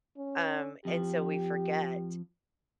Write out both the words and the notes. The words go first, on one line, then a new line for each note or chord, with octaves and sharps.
um, and so we forget.
C#4
F2 F3 G4